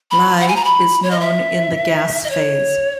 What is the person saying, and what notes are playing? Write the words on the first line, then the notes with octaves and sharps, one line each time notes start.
Li is known in the gas phase.
B5
F#5
G#5
A#5
B5
C#5
D#5
E5
D#5
C#5